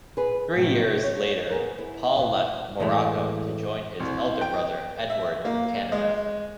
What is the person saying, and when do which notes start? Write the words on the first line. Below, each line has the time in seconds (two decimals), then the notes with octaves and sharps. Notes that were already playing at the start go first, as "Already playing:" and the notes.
Three years later Paul left Morocco to join his elder brother Edward in Canada.
0.17 G#4 B4
0.56 A2 C3
1.03 C#5
1.50 B3 G#4 A#4
1.79 E4
2.15 E2 B2 B3
2.80 A2 E3 G#3 A3
4.00 C2
4.41 G5
5.10 E5
5.45 A#3
5.92 G#3